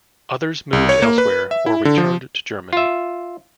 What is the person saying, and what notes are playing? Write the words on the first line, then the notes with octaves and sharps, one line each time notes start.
Others moved elsewhere, or returned to Germany.
C2
C#5
A#3
B4
E5
E4
D3
F3
F4 E5